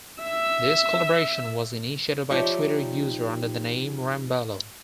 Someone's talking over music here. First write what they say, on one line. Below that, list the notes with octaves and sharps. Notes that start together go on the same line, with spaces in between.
This collaboration was initiated by a Twitter user under the name 'Ramballo'.
E5 E6
F3 D#4 G4 C#5 D5 E5